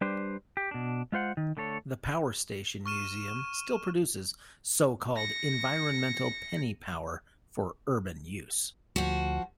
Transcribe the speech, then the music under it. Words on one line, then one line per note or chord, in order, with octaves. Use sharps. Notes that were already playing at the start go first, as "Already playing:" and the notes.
The Power Station Museum still produces so-called environmental penny power for urban use.
G3 D4 G4 B4 C5
G4
B2 D4
G#3 F4 C5 F#5
D#3
D3 A3 A4 C#5
C#6 F6 D#7 E7
A#6 C#7
D2 F3 F#4